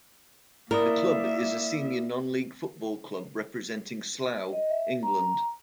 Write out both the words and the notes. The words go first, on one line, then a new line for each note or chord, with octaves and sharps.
The club is a senior non-League football club representing Slough, England.
A#3 E4 A#4 D5 E5 D#6
D#5
E5
A#5